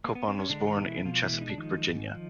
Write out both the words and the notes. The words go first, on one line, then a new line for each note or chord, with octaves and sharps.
Copon was born in Chesapeake, Virginia.
A#3
B3
C4
C#4
D3 G#3 D4
D#3 D#4
B2
E3 E4
B2 F3 F4
E3 E4
G#3
D#4
D4
D#3 F3 D#4
G#2
F3